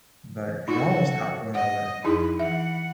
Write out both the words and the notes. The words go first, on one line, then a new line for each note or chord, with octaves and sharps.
but it almost got blown away.
D#4 F4 F#4 A4
D#5 F#5
F2 D#4 E4 G#4 B4
E3 E5 F#5